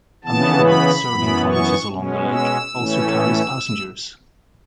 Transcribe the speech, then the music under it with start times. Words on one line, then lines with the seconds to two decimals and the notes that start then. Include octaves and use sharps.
A mailboat serving cottages along the lake also carries passengers.
0.24 C#3 E3 B3 A5
0.66 B5
1.08 F#2 E3 B3
1.50 C#6
1.91 B2 G#3 C#4
2.33 E6
2.74 A2 E3 A3 C#4